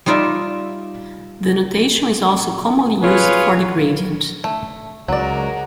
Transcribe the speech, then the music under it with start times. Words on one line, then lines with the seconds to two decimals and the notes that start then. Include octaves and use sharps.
The notation is also commonly used for the gradient.
0.06 G3 D#4 F4 D5 E5
3.02 F4 G#4 B4 C#5
4.44 A3
5.08 C#2 F#3 G#3 F#4 A#4 D5